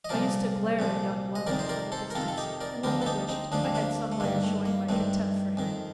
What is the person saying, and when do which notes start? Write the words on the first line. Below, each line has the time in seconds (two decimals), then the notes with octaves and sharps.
I used to glare at young Lovett from a distance and only wished I had some way of showing my contempt for him.
0.05 D#5
0.09 C2 A#2 F3 A#4 D5
0.79 C2 A#2 F3
1.35 D#5
1.47 F2 C3 D#3 A#4 D5
1.59 C5
1.69 A#4 D5
1.92 A4 C5
2.11 A#4
2.15 F2 C3 D#3 F4 A4
2.28 A4
2.38 D#4 G4
2.61 A#4 D5
2.84 D2 D3 F3 G4 A#4
3.02 A4
3.06 D#4 G4
3.29 C4 D#4
3.52 D2 D3 F3 D4
3.64 C4
3.75 A#3 D4
4.12 A3
4.20 G2 D#3 A#3
4.43 A3
4.65 A#3
4.89 G2 D#3 A3 C4
5.57 F2 D#3